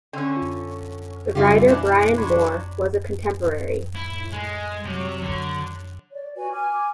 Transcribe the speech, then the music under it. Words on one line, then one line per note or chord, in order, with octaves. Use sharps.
The writer Brian Moore was a contemporary.
D3 C#4 G5 C6 E6
F4
C#3 G3 E4 F4 G4
B2 E3 D4 E4 F#6
F#3 D4 B5 C6 G#6
A2 E4
G#3
C3 F#3
D3 F#3
C#5 D5
F#4 B4 G#5
G#5 D6 F6